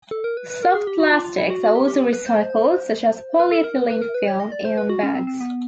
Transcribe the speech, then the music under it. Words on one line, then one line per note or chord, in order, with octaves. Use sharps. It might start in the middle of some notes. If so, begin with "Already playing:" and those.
Soft Plastics are also recycled such as polyethylene film and bags.
A4
A#4
B4
B4
A#4
G#4
G4
F#4
F4
F4
E4
F#4
F#4
G4
G4
B4
C5
B4
A4
A#4
B4
A#4
B4
C#5
D#5
D5
C5
B4
F#4
C#4
C4
C4
B3